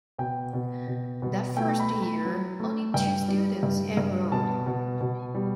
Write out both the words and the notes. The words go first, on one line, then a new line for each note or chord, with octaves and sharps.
That first year only two students enrolled.
B2 G5
B2
B2
B2
A3 G5
B5
A3
B5
F#3
A3
G2 G5
G3
G2
G2
B2 A5
B2
B2
G3